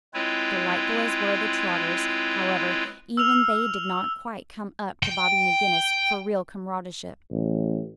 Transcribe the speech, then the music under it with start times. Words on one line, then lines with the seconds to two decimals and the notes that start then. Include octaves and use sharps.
Delightful as were the Trotters, however, even they did not quite come up to Bobby McGinnis for real comradeship.
0.14 G#3 C4 E4 F4 B4 C#5
3.17 E6 F6 F7
5.03 G5
7.31 A1